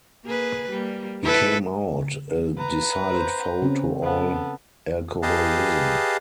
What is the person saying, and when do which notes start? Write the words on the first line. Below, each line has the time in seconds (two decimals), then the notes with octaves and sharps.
He came out a decided foe to all alcoholism.
0.25 A#3 G#4 B4
0.70 G3 A#3
1.24 E4 A4 B4
2.58 B4 A#5
3.14 C5
3.62 C#3 C4 C#4
4.03 B3 A4
5.23 G4 G#4 B4 D#5 F5 A5